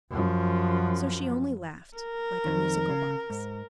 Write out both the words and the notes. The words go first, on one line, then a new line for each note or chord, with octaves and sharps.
So she only laughed, like a musical box.
F#2 F3
A#4
F2 D#3
C#3
G#2